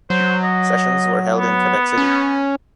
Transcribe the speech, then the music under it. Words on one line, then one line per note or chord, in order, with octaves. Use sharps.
Sessions were held in Quebec City.
F#3 C5
D#5
B3
C#4